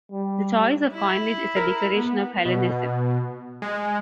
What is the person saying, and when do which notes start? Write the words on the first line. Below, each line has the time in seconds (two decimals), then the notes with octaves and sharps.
The choice of coinage is a declaration of Hellenism.
0.12 G3
0.92 E4
1.56 A#4
1.96 B3
2.45 B2
3.62 G#3